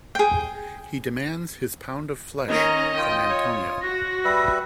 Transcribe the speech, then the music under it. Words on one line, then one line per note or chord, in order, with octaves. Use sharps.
He demands his pound of flesh from Antonio.
G#4 G5
D#3 C#4 D#5 A#5
F4 G5 D#6
C#5
F#4 A#6
G3 B4 E5